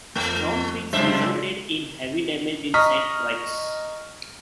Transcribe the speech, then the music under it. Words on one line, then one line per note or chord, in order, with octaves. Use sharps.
Strong winds resulted in heavy damage in Saint Croix.
F2 A3
F#2 C#3 G#3 D4 C5 E5
D#5 A#5 C#6 D#6 F6 B6